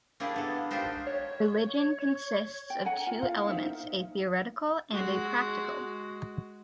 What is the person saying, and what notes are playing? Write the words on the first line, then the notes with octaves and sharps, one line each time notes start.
Religion consists of two elements, a theoretical and a practical.
A#3 D4 E4 G4 G#4
B3 A4
D4 D#4 F4 G4 A#4 C5
C#5
G5
C#5 F#5 G#5 A#5
F4
F4 F5
E4 F5
D#4 C5 E5 F5
G#3 F#4